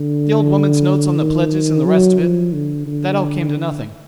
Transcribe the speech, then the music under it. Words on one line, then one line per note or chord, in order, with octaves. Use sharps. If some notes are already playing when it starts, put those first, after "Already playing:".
The old woman's notes on the pledges and the rest of it--that all came to nothing.
Already playing: D3
D#3
F#3
F3
D3
D3